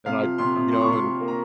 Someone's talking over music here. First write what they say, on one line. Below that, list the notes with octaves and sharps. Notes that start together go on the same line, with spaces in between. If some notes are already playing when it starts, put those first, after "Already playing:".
and I you know, and
C3 F5
F3
C3 C6
C3
F3 C6
C#6
C3
C6
F3
A#3
A#5